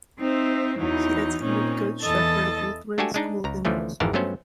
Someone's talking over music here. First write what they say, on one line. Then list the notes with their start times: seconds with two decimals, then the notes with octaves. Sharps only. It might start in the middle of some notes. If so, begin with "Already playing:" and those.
He attended Good Shepherd Lutheran School in middle school.
0.18 C4 D#4 C5 E5
0.78 E2 E3 F#3 D#4
1.41 A#2 C4 C#4 D#4
2.01 E2 E3 A4 D#5 A5 A6
2.98 A3 D4 F#4 G4 A4 G#5
3.14 G#3 D4 D#4
3.44 C#2 A#5
3.65 D2 E3 F3 A3 C#4
4.00 G#1 F2 G#2 E3 A#4 A5
4.13 G2 F#3 A3 B3 C#4 C5